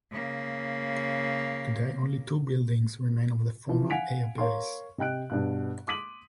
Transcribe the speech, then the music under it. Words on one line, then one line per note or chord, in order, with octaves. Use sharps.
Today only two buildings remain of the former Air Base.
C#3 A#3
E3 F3
F5 F#5 G#5 B6 D7 F7
A#4 C#5 F5 C6
C3 D#5 G5 F#6 D7
G2 B2 F#6
C6 D6 D#6 B6 D#7 F#7